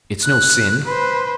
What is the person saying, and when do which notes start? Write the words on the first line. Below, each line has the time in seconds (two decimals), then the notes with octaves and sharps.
It's no sin.
0.24 F#6
0.85 B4 C5